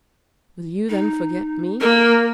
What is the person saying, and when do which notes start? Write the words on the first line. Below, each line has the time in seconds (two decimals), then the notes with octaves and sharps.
"Will you then forget me?"
0.89 D#4
1.81 A#3 A#4